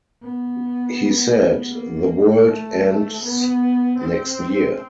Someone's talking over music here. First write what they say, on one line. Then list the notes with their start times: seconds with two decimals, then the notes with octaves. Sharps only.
He said, The world ends next year.
0.23 B3
1.73 A#3
2.48 A3
3.24 B3
3.98 C4